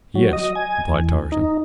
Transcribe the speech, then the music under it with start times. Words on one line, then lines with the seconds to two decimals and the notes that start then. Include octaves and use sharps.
"Yes," replied Tarzan.
0.16 F#3
0.33 D#5
0.55 G#5
0.89 E2
1.32 D#4